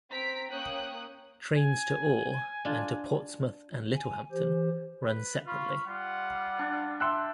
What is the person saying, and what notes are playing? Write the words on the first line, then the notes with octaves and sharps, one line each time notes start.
Trains to Ore and to Portsmouth and Littlehampton run separately.
C4 A#5 B6 D7
A#3 C#4 C#5 G5 D#6 F#6
G#5
D4 F4
G#5
E3 G4 C5
B4
F4 B5 C#6 F6
G3 F4 F#5
D4
E5 G5 C6 E6 F#6